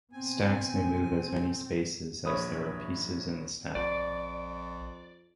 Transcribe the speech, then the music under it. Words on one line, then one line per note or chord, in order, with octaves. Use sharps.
Stacks may move as many spaces as there are pieces in the stack.
B2 B3 C4 G#5
A#1 C#5 E5 B5 D#6
A#1 F2 D5